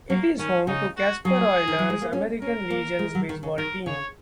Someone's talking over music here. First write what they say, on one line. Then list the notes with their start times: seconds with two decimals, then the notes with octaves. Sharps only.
It is home to the Casper Oilers American Legion Baseball team.
0.10 F#3 A#3
0.39 D#3 C#4
0.67 C#3 D#4
0.97 F#4
1.25 F#3 G#4
1.68 D#3
1.79 F#3
1.90 G#3
2.02 A#3
2.13 C#4
2.41 C#4 A#4
2.70 A#3
2.99 G#3
3.15 F#3
3.29 D#3
3.43 C#3
3.58 D#3 A#4
3.86 C#3 C#5